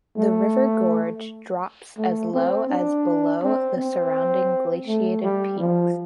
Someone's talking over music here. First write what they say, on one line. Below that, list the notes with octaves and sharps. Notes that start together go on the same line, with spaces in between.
The river gorge drops as low as below the surrounding glaciated peaks.
A3
A3
C4
D4
C4
C4
A3
G3
F3